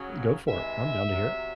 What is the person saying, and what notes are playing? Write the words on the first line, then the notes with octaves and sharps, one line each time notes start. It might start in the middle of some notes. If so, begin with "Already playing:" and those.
Go for it, I'm down to hear it.
Already playing: C#3 F#3
C3 E3 G#3 E5
C3 F#3